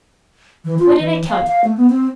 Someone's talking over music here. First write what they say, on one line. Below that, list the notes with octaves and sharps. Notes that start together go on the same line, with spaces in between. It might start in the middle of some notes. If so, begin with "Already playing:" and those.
What did I tell you?
E3
F4
E3
F5
F5
A3
B3
C4